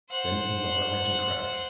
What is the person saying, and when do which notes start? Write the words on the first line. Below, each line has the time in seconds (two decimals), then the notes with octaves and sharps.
Then came the heart-rending crash.
0.11 C5 F#5